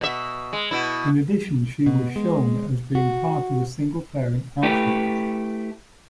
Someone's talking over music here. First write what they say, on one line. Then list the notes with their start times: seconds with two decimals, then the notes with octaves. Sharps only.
In addition, she was shown as being part of a single-parent household.
0.01 B2 E5
0.53 G#3
0.71 B2 E4
1.86 B2
2.16 G#3
2.95 F#4
4.63 A3 E4 G4 B4